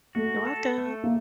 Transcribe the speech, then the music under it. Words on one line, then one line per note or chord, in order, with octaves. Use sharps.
You're welcome.
A3 F#4
A4
A3
A#3